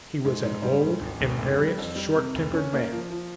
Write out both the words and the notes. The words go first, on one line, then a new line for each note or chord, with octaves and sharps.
He was an old, imperious, short-tempered man.
G#2
G#2
G3
G#2
G#1
G#1
F1
G3
F2
G3
C3
F1
C#4
A#3
F3
F3